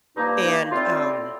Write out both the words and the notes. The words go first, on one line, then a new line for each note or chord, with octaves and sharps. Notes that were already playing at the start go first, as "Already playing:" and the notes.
and, um,
G2 F3 A#3 D#4
D#4
A2 G3 C4 F4